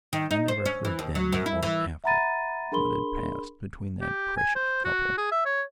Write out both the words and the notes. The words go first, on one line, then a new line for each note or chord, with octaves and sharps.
I never heard then or after what had passed between that precious couple.
D#3
D#4
C5
C#4
E3
D#2
F#3
F#2
E4
E3
E5 F#5 A#5 B5 A6 D#7
D4 G#4 A#4 B5 C6 G7
G4
G#5
C5
F#4
G#4
E5
C#5